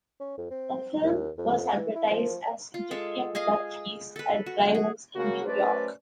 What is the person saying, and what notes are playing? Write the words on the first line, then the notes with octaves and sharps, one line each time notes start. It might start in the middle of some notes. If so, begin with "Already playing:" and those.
The film was advertised as "Egyptian Blood Feast" at drive-ins in New York.
C#4
F2
C4
D#2
F2
E3
E4
F3
F4
G#3 A4
G#4 D#5 F5 G#5
A4 B4
F#4
G#4
C#3 A#3 F#4
F#2 A3 C#4 B4 C5 D5